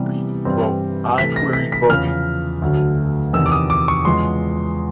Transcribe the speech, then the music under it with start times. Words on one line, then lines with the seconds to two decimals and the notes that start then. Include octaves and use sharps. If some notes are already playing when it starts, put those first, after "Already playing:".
I queried, groping.
Already playing: C3 E3 G3 B3
0.45 G2 E3 G3 C4
1.18 C3 E3 A3 B6
1.36 A#6
1.53 B6
1.72 B6
1.89 E2 C#3 F3 F6
2.62 D2 D3 F#3 A3
3.33 E2 C3 D#3 E6
3.46 D6
3.52 D#6
3.70 D6
3.88 C#6
4.05 E2 C#3 F3 G#3 C6